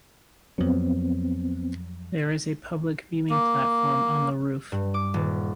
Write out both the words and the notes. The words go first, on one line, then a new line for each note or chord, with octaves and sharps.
There is a public viewing platform on the roof.
F2 F#3 B3 C4
A#3
G2
D6
D#1